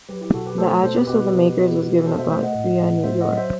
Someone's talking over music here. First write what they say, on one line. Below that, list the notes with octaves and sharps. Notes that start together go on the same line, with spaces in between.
The address of the makers was given as Batavia, New York.
F#3 G4 B4
E4 G4
B2 F#4 A4
G4 B4
A3 A4 C5
B2 A4 C5
G4 B4
B2 G4 B4
B2
B2
B2
B2 A4 C5
C5 E5
A3 C5 E5
D#5 F#5
A2
A2
A2 C5 E5
D#5 F#5
F#3
C5 E5